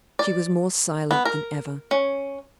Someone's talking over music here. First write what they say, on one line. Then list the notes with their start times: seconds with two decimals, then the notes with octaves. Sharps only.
She was more silent than ever.
0.19 D5
1.11 B3
1.25 A#4
1.91 C#4